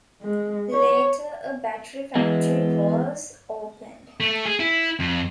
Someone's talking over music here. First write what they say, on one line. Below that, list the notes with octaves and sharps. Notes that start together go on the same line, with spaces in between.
Later a battery factory was opened.
G#3
C#5
E2 E3 G#3 B3
A3
G#4
E4
F2